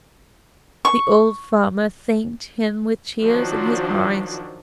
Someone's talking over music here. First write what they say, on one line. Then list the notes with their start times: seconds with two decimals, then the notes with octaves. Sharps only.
The old farmer thanked him with tears in his eyes.
0.85 C#6
3.23 D#3 F3 F#3 D4